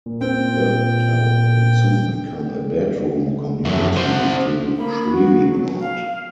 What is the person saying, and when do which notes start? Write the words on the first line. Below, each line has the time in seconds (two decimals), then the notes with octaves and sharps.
The town would soon become a bedroom community to Shreveport.
0.06 A#2
0.21 C4 G5
3.65 F#2 E4
3.96 F#4 C5
4.77 A#3 B5
5.07 F#4
5.50 F#3
5.82 F5